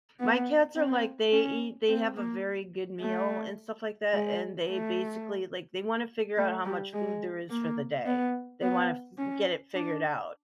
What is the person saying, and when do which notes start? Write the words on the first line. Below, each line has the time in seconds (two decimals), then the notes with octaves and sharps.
My cats are like, they eat they have a very good meal and stuff like that, and they basically, like, they wanna figure out how much food there is for the day. They wanna f get it figured out.
0.20 B3
0.76 C4
1.32 C#4
1.88 C4
2.17 A#3
3.01 A3
4.13 G#3
4.69 A3
6.37 A3
6.65 G3
6.94 G#3
7.50 A#3
8.06 B3
8.62 B3
9.18 C#4
9.75 D4